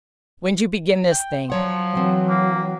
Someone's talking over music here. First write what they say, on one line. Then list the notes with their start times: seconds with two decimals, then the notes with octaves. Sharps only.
"When'd you begin this thing?"
1.11 G5
1.50 F3 F#3 C#5 F#5
1.95 E3 F#3 C4
2.29 A#3